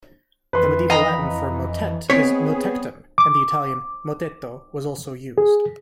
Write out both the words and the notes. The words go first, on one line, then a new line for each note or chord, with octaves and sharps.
The Medieval Latin for "motet" is "motectum", and the Italian "mottetto" was also used.
F2 E3 B4 C6
D#5 F5 A#5 B5
B3 C4 G#4 C#5 B6
D6
G#4